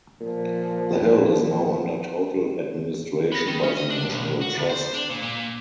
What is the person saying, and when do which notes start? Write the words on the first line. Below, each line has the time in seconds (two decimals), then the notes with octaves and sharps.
The hill is now under total administration by the National Trust.
0.21 A#2 F3
3.32 B3
3.47 D#3
3.63 C#4
3.77 D#5
3.90 D4
4.10 B1
4.41 F#4
4.57 D2
4.70 C5
4.94 D4
5.10 A#2
5.22 A#2